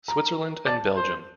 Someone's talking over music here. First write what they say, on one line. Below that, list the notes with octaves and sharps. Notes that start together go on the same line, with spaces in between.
Switzerland and Belgium.
A#5
D5 A5
C5